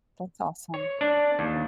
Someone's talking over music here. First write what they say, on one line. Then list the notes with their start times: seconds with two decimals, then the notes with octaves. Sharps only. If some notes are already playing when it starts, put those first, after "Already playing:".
That's awesome.
0.74 C#5
1.01 D4
1.39 D#2